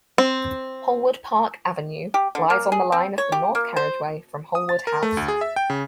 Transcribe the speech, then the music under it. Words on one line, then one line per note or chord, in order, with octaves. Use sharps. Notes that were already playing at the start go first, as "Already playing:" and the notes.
Holwood Park Avenue lies on the line of the north carriageway from Holwood House.
C4
G4
D3
A#3
G#4
C4
C#5
G4
A#3
C5
D#6
A6
A#4
A3
D2
G#4
E5
G5
C#3